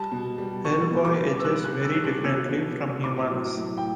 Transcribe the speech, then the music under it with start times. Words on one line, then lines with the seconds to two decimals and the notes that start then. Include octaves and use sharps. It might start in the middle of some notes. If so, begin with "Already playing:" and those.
Hellboy ages very differently from humans.
Already playing: G3 A5
0.11 B2
0.38 G3
0.64 G3 C#6
0.91 B2
1.05 D6
1.18 G3
1.40 E6
1.44 G3 F#6
1.65 F#6
1.71 G3
1.84 E6
1.98 G3
2.04 F#6
2.24 B2 E6
2.51 B2
2.77 B2
3.04 A2 D6
3.31 F#3
3.57 A2
3.78 G5